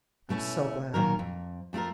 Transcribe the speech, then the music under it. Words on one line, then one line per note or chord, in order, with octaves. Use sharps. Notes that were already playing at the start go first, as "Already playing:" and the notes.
I'm so glad.
B2 A3 C#4 E4
A#2 D#3 F#3 A#4
F2
F2 A3 B3 F4 A#4